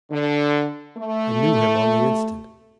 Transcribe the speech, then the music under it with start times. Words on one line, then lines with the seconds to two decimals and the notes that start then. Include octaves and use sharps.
I knew him on the instant.
0.11 D3
0.98 A3